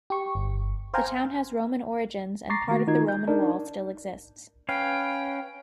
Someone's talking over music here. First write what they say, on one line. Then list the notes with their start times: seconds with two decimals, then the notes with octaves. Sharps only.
The town has Roman origins and part of the Roman wall still exists.
0.10 G4 C#6
0.35 G1
0.94 C5 F5 G5 G#5 A#5
2.50 A#5 C#6 D6 A6 A#6 C7
2.68 D#3 A3 F#4
2.87 D#3 D#4 F4 G#6
3.08 G6
3.27 D4 D#4 A#4 D5
4.69 C#4 B4 F5 G5